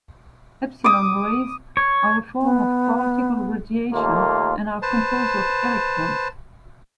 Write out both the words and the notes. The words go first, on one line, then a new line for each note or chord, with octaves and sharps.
Epsilon rays are a form of particle radiation and are composed of electrons.
D6 D#6
C#5
B3
D#2 A3 A#3 F4
B4 C5 A5